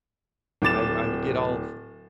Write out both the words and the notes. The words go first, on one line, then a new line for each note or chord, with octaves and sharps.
I I would get all
D1 D6 A6 E7